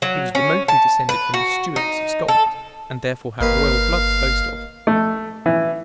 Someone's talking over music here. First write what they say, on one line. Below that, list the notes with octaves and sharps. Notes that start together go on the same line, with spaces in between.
He was remotely descended from the Stuarts of Scotland, and therefore had royal blood to boast of.
F#3
C#4
A5
B4
F#4
D#4
A4
G1 D#2 D#3 B4 F5
A3
E3